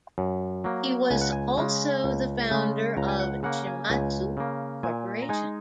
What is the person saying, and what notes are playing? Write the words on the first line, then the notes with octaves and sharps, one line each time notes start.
He was also the founder of Shimadzu Corporation.
F#2
F#3 A#3
C#2 G#5
F#5
G#5
C#3 G#3
C#2
C#3 G#3
C#2 A#5
G#5
F#5
C#3 A#3 F#5
G#5
C#2 G#5
C#3 A#3
A#2 G#5
A#5
G#3 D#4 G#5